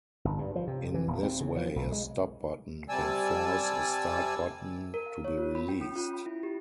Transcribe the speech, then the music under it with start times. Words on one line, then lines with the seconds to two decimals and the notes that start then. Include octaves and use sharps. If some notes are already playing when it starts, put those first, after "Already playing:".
In this way, a stop button can "force" a start button to be released.
0.25 G1
0.39 G2
0.55 F3
0.67 C3
0.94 E3
1.08 D#1
1.23 C4
1.41 C#3
1.57 F3
1.76 B1
1.92 G#3
2.89 C3 G3 D5 G#5 A5 E6
4.94 A#4
5.06 F5
5.24 C#5
5.38 F4
5.55 B5
5.68 G5
5.81 C#4
5.96 F4
6.13 B5
6.26 E4
6.43 G4